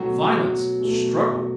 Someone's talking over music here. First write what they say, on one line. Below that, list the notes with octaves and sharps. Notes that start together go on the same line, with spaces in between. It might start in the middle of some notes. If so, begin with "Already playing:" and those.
"Violence! Struggle!"
Already playing: B2 F#3 A3 F#4
B2 F#3 A3